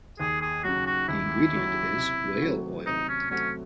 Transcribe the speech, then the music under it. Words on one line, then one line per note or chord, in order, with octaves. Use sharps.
The ingredient is Whale oil.
D#2 G#4
G#4
C#3 F#3 F#4
F#4
D#2 E4
C#3 F#3
C3
F#3 A3 C4 F#4
C3 D#4
C#4
F#3 A3 C4 C#4 F#4